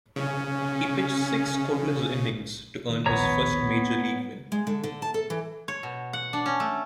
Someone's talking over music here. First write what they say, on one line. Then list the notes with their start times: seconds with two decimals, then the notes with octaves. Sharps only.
He pitched six scoreless innings to earn his first major league win.
0.16 C#3 C#4
2.89 D#3
3.06 A#1 D#2 A2 B3 C#5 A#5
3.77 A#3
4.52 G#3
4.67 D3
4.84 D3
5.02 A5
5.14 A4
5.30 E3
5.68 C#5
5.83 B2
6.13 F#5
6.33 D4
6.46 C#4
6.60 A3